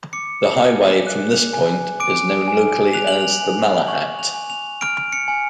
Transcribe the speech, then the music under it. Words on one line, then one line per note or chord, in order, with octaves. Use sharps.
The highway from this point is known locally as the Malahat.
D6 C#7
G#5
F#6
G#5
D6 D7
G#5
F#6 F7
F#7
F7
G#5
C#6 F#7
F7
G#5
F7
F6 D7
C#7
G#5